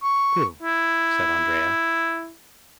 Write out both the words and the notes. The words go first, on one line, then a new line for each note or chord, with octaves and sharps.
"True," said Andrea.
C#6
E4